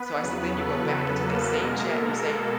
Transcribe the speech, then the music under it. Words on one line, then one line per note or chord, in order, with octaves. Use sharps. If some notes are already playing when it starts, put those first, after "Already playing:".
So I said, "Then you go back into that same chat and you say,
Already playing: B3 B4
E2 C#3 F#3
A4
A4
A#3 A#4
B2 G#3 B3
A4
A4